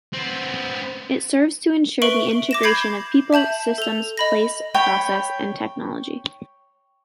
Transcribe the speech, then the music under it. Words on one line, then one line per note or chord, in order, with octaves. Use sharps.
It serves to ensure the integration of people, systems, place, process, and technology.
B3 C4
B4 E5 C#6 D7 F#7 G7
D6 A#6 E7
B5 G6 G#6 C7
E5 A5 G6 F#7
A4 F7
D#5 B5 A#6
C#5 G5 B5